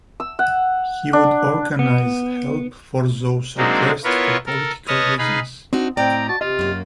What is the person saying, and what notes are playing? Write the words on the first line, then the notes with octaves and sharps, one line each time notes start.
He would organize help for those repressed for political reasons.
E6
F#5
D4
B3
F#3 G#3 A#3 C4 D4 D#4
B3 E4 F4 A#4 B4 C#5
A4 A#4
B4 C#5 D#5 A5 D#6 F6
D#4 G#4 B4 F5 B5
C4 D4 D#4 F#4
A2 C4 D5 D#5 G5 A#5
F#4 A5
C3 F4 D#5
F#2 A#3